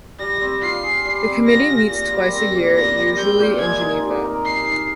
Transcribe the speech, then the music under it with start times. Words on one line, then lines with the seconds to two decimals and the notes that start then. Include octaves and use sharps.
The Committee meets twice a year, usually in Geneva.
0.19 G3 A#6
0.41 C4
0.62 F4 C7
0.83 G#4
1.05 G3
1.27 C4
1.47 F4 A#6
1.69 G#4
1.89 A#2 A#6
2.11 G3
2.32 C4 A#6
2.54 A#2
2.74 A#2 A#6
2.96 G3
3.17 C4 G6
3.39 A#2
3.59 G#3 G#6
3.81 D#4
4.03 G4
4.23 A#4
4.45 G#3 C7
4.66 D#4